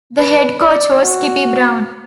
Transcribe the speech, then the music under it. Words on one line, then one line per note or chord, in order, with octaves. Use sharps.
The head coach was Kippy Brown.
B4
D5
F#4